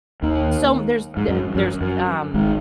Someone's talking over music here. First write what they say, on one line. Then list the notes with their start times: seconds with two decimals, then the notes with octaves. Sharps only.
som there's the there's, um,
0.22 D#2 D#3
1.17 G#2
1.28 F#2
1.55 F#2
1.81 F#2
2.34 G#1 G#2